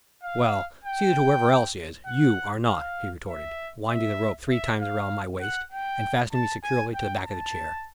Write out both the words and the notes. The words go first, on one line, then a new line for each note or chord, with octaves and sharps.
"Well, see that whoever else is you are not," he retorted, winding the rope three times around my waist and fastening me securely to the back of the chair.
F5
G5
F#5
F5
E5
E5
E5
F5
F#5
G5
A5
G#5
G5
A5